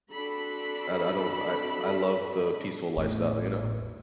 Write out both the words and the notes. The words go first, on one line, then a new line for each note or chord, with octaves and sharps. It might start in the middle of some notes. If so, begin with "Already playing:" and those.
I I don't I I love the peaceful lifestyle, you know?
C4 D4 F#4 A4 B5
A1 E2 A2